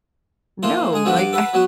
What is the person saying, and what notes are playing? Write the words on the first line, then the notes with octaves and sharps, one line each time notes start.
"No, like, I
E3 F3 A#3 C5
G#3 G#4
D3 F3 G3 B3 F#4
G2 F#5 D6
A4 B4 F#5
F#3 B3 F#4